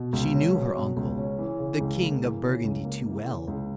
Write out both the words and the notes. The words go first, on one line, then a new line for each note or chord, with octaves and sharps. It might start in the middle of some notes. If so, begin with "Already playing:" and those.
She knew her uncle, the king of Burgundy, too well.
Already playing: B2
C#2
C#4
F#3
B2
C#2
C#4
E3
C#3
C#2
A#3
E3
C#3
C#2
A#3
E3
C#3
C#2